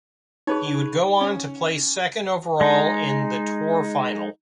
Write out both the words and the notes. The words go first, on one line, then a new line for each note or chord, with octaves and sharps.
He would go on to place second overall in the Tour Final.
D#4 G#4 B4 C#5
C#4
G#3 D#4